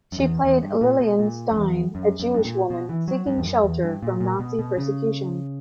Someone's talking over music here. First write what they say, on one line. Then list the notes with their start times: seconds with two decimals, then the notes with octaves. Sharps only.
She played Lillian Stein, a Jewish woman seeking shelter from Nazi persecution.
0.12 F#2
0.19 E2
0.44 E2
0.62 G2
0.81 A#2
1.00 B2
1.19 A#2
1.51 F#2
1.56 E2
1.95 F#2
2.20 F#2
2.34 G2
2.45 A#2
2.70 B2
2.89 E3
3.08 F#3
3.27 G2
3.38 E2
3.45 F#2
3.64 E2
3.83 G2
4.03 A#2
4.20 A#2
4.39 B2
4.59 B2
4.77 C#3